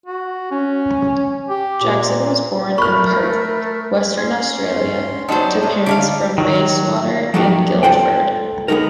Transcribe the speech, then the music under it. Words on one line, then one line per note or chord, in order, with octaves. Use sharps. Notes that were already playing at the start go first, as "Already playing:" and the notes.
Jackson was born in Perth, Western Australia, to parents from Bayswater and Guildford.
F#4
C#4
G4
A#2
A3 A#4 B5 C#6 F6
C#4 C6 G#6
F#3 G3 B3 D4 D#4 A4 C5 A5
A2 G3 C#5
D3 D#4 F5 A5 D6
D#3 F#3
F3 F#3 A3 D#4 F#4 G4
F4 A4 C5 F#5 G5
D3 G#3 B3 D#4 A#4